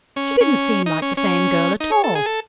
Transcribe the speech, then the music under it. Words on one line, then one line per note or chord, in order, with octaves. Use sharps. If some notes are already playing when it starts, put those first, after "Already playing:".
She didn't seem like the same girl at all.
C#4
C#4
D#4
C#4
C#4
D#4
C#5
A4
G#4
A4